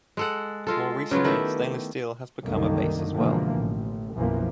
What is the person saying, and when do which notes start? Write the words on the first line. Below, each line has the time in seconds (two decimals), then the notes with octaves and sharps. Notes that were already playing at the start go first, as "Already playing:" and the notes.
More recently stainless steel has become a base as well.
0.17 G#3 A4 F#5
0.67 G#3 F4 A4
1.11 C#3 F#3 B3 F4
1.24 D#3 A3 E4 G4
2.43 C2 F#2 D3 D#3 A#3
3.14 G#2 B2 D3 E3 F3 A#3
3.58 A1
4.15 B1 F#2 E3 F3 A#3